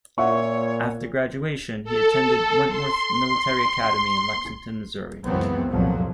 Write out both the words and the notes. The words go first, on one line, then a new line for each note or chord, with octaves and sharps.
After graduation, he attended Wentworth Military Academy in Lexington, Missouri.
A#2 C#5 E5 F#5 C#6
A4
C6
C#2 F#2 E3 F#3 B3 C4
C2 F2 A#2 F3 F#3